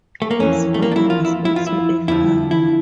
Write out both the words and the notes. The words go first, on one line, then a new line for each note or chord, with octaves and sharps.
His father was also a farmer.
A3
A#3
F2 E3 C#4
A3
A#3
D4
E4
F4
E4
E4
F4
E4
F2 D3 F3 E4
E4